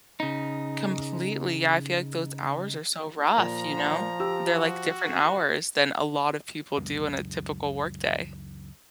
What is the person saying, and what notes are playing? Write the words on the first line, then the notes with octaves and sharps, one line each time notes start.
Completely. Yeah, I feel like those hours are so rough, you know? They're, like, different hours than a lot of people do in a typical workday.
C#3 D#4
A#2 F3 A#5
G4 E6
F#4
C#2 F#2 G#3